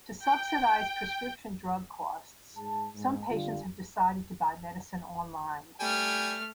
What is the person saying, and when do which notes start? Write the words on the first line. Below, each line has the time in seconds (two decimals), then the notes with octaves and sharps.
To subsidize prescription drug costs, some patients have decided to buy medicine online.
0.19 G5
2.56 G#2 G#4 A5
2.94 G#2
3.30 D3 G3 F4
5.80 G3 A3 G5 G#5 F6